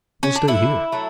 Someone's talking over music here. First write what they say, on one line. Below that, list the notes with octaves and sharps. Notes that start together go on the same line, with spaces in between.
We'll stay here.
C#4
D4
D3 E4
F#3 A3